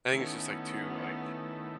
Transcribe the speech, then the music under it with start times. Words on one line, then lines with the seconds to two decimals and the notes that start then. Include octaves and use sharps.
I think it's just, like, too, like
0.12 D#3 A3 B3 C#4 E4